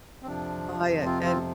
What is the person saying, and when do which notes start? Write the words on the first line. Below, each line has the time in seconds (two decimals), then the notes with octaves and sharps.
By a an
0.23 C4
0.27 F2 C3 F3 D4
1.05 C4 F4
1.24 C4 F4